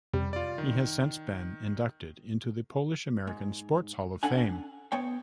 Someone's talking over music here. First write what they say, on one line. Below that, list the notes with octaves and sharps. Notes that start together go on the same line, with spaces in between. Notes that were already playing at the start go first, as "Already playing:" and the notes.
He has since been inducted into the Polish-American Sports Hall of Fame.
F2 C3 G3
F4 D5
D#3
G#2
C#4 D4 A4 F#5 G#5
B3 C#5 G5